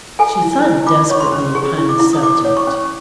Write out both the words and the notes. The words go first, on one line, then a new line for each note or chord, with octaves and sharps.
She thought desperately upon the subject.
A4 G#5
E4
E4
F4 D6
C#5 C#6
C6
C#4
G#4 C#6
E4
D6
E4
D#6
E4 D6
C#5
C#6
C#4